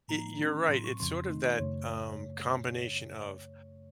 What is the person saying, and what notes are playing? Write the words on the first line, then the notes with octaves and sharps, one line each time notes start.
eh, you're right. It's sort of that, um, combination of,
A2 F3 A#3 D#4 A#5
D#3 A3 C#4
A2 F#3 C4 C6
C#6
F2 C#3 F3 C4 C6
D#3 A3 C4 D#4
F#2 C#3 A3 C#5